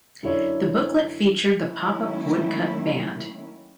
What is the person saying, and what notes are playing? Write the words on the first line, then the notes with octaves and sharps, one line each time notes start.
The booklet featured the pop-up woodcut band.
F#2 D3 E4 C#5 D5
D#3 F#3 A3 A#3 C#4 E4